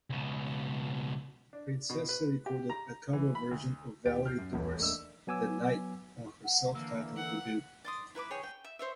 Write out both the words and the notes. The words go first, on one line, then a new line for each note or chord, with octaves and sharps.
Princessa recorded a cover version of Valerie Dore's "The Night" on her self-titled debut.
C#2 B2
D4
B2
B4
G4
A#5
E3
B5
D2
D#2 A#2 G4 A6 D7
F6 G6 C7
F#2
D#1 A1 E2
A3 A#3 D4 D#5 E6
F#3 B3 G#5 D6 E6
F#5
D3 E3 A#3 E6
F#5
D5 C6 D#6
E4 B4 B5 D6
G#4 C#5 G5
G5
E5
C5 C#5 E5